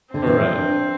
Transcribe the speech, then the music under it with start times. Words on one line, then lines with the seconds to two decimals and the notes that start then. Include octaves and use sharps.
Eh right.
0.13 D3 C4
0.27 E3
0.40 F3
0.54 D4